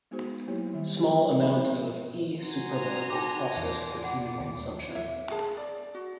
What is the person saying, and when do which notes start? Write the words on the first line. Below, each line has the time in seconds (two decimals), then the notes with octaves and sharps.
Small amount of "E. superba" is processed for human consumption.
0.11 G#3 B3 D#4 F#4 G#4 C5
0.48 F#3 A#3 E4 G4 C#5
0.73 D#3 G3 E5
0.97 A#3 C#4 G4 A#4 C5
1.40 F3 G#3 B3 G#4 D#5 B5
2.43 F#4 G#5 A#5 C6
3.10 D#4 G5 D6
3.57 E2 D5
4.02 F#5 B5
4.40 D#2
4.92 C#5 E5
5.31 G#4 A5
5.57 D5
5.94 F#4